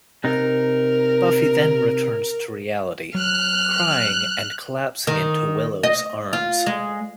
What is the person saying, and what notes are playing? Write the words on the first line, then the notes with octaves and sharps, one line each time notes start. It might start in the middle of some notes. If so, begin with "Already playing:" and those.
Buffy then returns to reality, crying and collapsing into Willow's arms.
C3 D#4 A#4
F#3 F6 F#6
D#3
D#5
F4
G#3